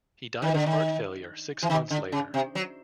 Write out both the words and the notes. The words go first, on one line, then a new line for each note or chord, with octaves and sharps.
He died of heart failure six months later.
D#3
D3
D#3
E3
D#3
D3
C#3
C3
F#3